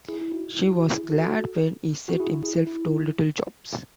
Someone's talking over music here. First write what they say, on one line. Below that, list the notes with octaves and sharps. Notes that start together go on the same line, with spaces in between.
She was glad when he set himself to little jobs.
E4 G#4
E4
D#4 F#4
E4
F#4
E4
E4 G#4
F#4 A4
F#4
E4 G#4
E4 G#4
E4